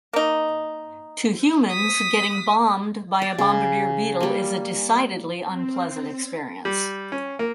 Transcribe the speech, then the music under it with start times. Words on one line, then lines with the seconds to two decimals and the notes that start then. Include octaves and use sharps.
To humans, getting "bombed" by a bombardier beetle is a decidedly unpleasant experience.
0.13 A#3 D#4
1.70 D#6 B6
3.22 D5
3.38 C#3
4.21 G3 A#3
5.48 C4
6.65 G3
7.12 C#4
7.39 A#3